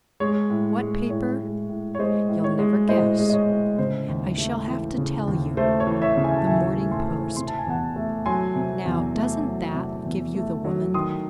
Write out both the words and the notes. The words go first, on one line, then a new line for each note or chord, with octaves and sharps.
What paper? You'll never guess; I shall have to tell you--The Morning Post. Now doesn't that give you the woman?
G#3 C#5
A2
G#3
A2 C#5
G#3
A2
C#5
G#3 C5 D#5
A2
C#5
G#3
A2 C5 D#5
G#3
D#5
C#5
A2
C#3 C5
D#2
A3
E3
C#3
D#2
A3 C5
C#5
E3
C#5 E5
C#3
E5 G#5
A5
D#2 E5 G#5
A3
G#5 C6
E3
C3 C6
A5
G#5
E2 F#5 A5
A3
F#3 G#5 C6
C3
E2
A3
F#3
C3
E2
A3
F#3
D#3 C6 D#6